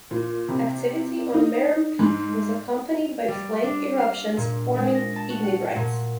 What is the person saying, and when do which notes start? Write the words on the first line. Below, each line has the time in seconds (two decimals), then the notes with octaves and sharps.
Activity on Merrem Peak was accompanied by flank eruptions forming ignimbrites.
0.11 A#2
0.48 C3
1.34 D#4
1.99 G#2
3.28 G3
3.64 D4
3.97 F5
4.37 A#2
4.76 G#3
4.95 A#6
5.16 A5
5.30 F#4
5.43 F#5
5.76 A#2